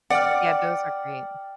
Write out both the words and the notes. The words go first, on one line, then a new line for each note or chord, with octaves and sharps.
Yeah. Those are great.
D5 F#5 G5 F6